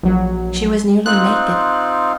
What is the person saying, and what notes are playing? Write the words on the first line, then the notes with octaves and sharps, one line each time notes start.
She was nearly naked.
A#1 F#3
C4 D#4 F4 F#6